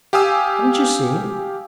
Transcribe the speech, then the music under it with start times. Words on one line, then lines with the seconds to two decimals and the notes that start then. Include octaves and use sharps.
'Haven't you seen?
0.13 G4 F5 G#5 D#6 E6